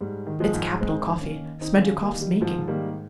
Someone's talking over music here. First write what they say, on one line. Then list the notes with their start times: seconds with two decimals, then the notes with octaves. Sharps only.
It's capital coffee: Smerdyakov's making.
0.01 G#2 G3
0.27 D#3
0.40 F3 G#3
0.54 G#2
0.80 G#2 G#3 C4
1.08 D#3
1.21 A#3 C#4
1.35 D#3
1.61 D#3 C4 D#4
1.81 C#4 F4
1.87 D#3
2.01 G3 A#3
2.14 D#3
2.21 G3
2.41 G#2 F3
2.68 D#3 G3 A#3